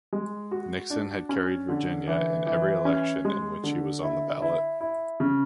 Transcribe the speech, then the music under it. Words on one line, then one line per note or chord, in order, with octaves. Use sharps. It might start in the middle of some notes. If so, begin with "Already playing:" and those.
Nixon had carried Virginia in every election in which he was on the ballot.
G#3
F#4
D4
C#4
D3
E3
E3
C#4
G#3
D3
E4
E4
E4
C#3